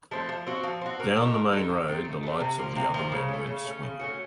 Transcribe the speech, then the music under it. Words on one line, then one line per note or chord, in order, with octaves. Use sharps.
Down the main road the lights of the other men went swinging.
F3 A3 C4
F3
C4 F#4
F3
C4 F#4
A#3
A4
D#4
A#3
D#4 A4
D#3
A3 C4
D#3
A3 C4
C3
F3 A#3
C3
F3 A#3
C#3
A3 C#4
C#3
A3 C#4
C#3
A3 C#4 F#4